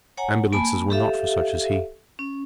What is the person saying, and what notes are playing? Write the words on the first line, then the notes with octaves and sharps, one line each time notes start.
Ambulances were not for such as he.
C#5 F#5 G#5 A#5
A#3 G#5 A5 B5
G4 A4 E5 F5
C#4